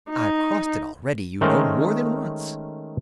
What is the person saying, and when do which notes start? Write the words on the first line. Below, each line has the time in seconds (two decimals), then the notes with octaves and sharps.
I've crossed it already, you know, more than once.
0.10 D#4
1.41 D#3 G#3 A3 C#4 A#4 C5